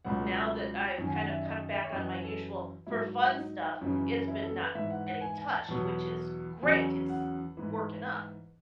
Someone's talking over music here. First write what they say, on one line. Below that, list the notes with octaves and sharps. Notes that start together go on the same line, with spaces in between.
now that I've kind of cut back on my usual for fun stuff, it's been not getting touched, which is great, it's working up,
C#2 B2 F#3 F#5
F#2 D#3 F#3
G#5
F#5
E5
D#5
E5
C#5
F#2 E3 D#5
C#5
A4
G#2 F#3 E4
E4
D#4
F#2 C#3 E3
E4
A4
B4
G#2 E3 E5
F#5
F#5
G#5
G#5
A5
E2 B2 F#3
E2 C#3 F#3 G#5
F#5
G#2 E3